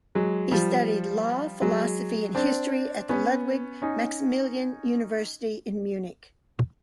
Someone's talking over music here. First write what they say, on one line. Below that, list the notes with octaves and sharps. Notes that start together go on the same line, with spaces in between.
He studied law, philosophy and history at the Ludwig-Maximilian University in Munich.
F#3 G#3
F3 G3
F#3 G#3
C4 D4
B3 C#4
C#4 D#4